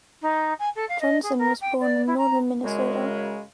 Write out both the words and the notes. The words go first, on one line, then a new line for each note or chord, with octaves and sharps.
Johnson was born in Northern Minnesota.
D#4
G#5
A4
F5
D#5
G#4
A#4
G5
D5
E4
A#5
F#2 C#3 G#3